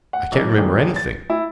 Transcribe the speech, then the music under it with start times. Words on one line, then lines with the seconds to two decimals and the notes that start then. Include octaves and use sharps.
I can't remember anything.
0.13 F#5
0.32 B1
0.57 D#1
0.96 A6
1.30 E4